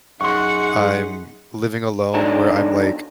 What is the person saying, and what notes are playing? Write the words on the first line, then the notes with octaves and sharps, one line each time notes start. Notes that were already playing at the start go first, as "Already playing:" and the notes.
I'm living alone where I'm, like,
F#2 D#4 G#4 F#5 C6 C#6
E2 F#3 D4 D#4 A4